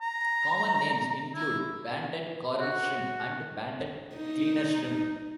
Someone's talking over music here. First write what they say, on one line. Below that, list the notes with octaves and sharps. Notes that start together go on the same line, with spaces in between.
Common names include banded coral shrimp and banded cleaner shrimp.
A#5
E4
F#4
D#4